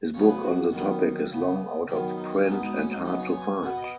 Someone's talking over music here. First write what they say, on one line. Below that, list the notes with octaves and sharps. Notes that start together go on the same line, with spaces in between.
His book on the topic is long out-of-print and hard to find.
C#3 F#3 B3 C#5
B4
F#4
D#3 F#3 B3
C#3 B3
D#3 F#3 B3
D#4
C#4
B2 G#3 B3 D#4
D#4
C#4
D#4
C#3 F#3 B3 D#4
C#5
G#5
G#5
B2 B3 F#5
D#5